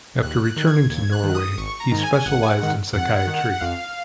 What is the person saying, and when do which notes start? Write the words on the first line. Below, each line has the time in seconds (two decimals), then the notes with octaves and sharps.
After returning to Norway he specialised in psychiatry.
0.22 D#2 F#6
0.45 F#6
0.56 D#3
0.67 G#6
0.90 D#2 G#6
1.12 F#6
1.24 D#3
1.35 D#6
1.58 G#1 C#6
1.80 A#5
1.91 G#2 D#3
2.03 G#5
2.26 G#1 F#5
2.43 G#5
2.48 F#5
2.59 G#2 D#3
2.93 F2 F#5
3.27 D#3
3.61 F2 F5